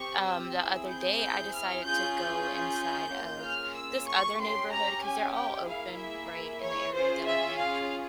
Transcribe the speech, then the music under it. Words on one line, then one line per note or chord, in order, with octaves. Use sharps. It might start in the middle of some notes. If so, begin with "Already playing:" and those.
um, the other day, I decided to go inside of this other neighborhood 'cause they're all open right in the area that I'm in.
Already playing: C4 G4 C#6
E6
C4 E4 G#4
G6
G6
F6
C#4 F4 G#4 G6
G6
A#3 C#4 F4 G#4
F6
E6
C#6
C#4 G4 C6
A#5
G#5
G5
A#3 E4 G#4 F5
E5
C#5
C#4 F4 G#4 C5
E5
F5